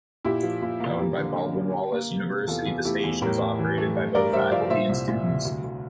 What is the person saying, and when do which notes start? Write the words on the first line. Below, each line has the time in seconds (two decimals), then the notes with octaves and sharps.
Owned by Baldwin Wallace University, the station is operated by both faculty and students.
0.25 A#2 E4 G4
0.43 F3
0.62 A#2
0.80 A#3
1.00 G3
1.17 D3
1.36 D3
1.55 G3
1.73 G3
1.92 A#3
2.10 C3
2.29 C3
2.48 E2 F4 A4
2.67 E2
2.85 A3 E4 G4
3.04 E2
3.22 A2 G4 A#4
3.41 A2
3.59 E3
3.78 A3
3.96 G2
4.15 G2 A#4 D5
4.33 G2 C5 E5
4.52 F3 D5 F5
4.70 A#2 C5 E5
4.89 C2
5.08 A#2
5.26 C2
5.45 D2
5.63 D2